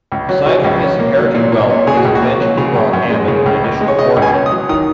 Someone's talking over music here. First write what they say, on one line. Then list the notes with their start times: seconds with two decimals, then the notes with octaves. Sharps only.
Aside from his inherited wealth, his inventions brought Hammond an additional fortune.
0.12 C#2
0.29 F#3
0.46 C#3 F#4
0.64 C#2
0.82 C#4
1.00 A#3
1.17 F#3
1.34 A#2
1.52 A#2
1.70 C#4
1.87 C#3 G#4
1.97 F#4
2.05 C#2
2.15 F#4
2.22 A#3
2.40 F#3
2.58 C#3
2.75 F#2
2.93 F#2
3.10 G#3
3.28 C#3
3.46 C#2
3.64 C#2
3.81 G#3
3.88 C#5
3.99 C#3 D#5
4.16 C#2
4.22 G#5
4.34 C#4
4.46 D#6
4.51 F#3
4.69 D#3 D#6